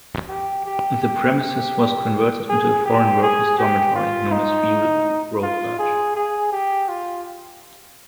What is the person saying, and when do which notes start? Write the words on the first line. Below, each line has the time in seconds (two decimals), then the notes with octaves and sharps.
The premises was converted into a foreign workers dormitory known as View Road Lodge.
0.29 G4
0.65 G4
1.02 G4
1.39 G4
2.49 G#4
2.86 G4
3.23 G#4
3.58 G4
3.96 F4
4.32 D#4
5.42 F4
5.79 G#4
6.16 G#4
6.52 G4
6.89 F4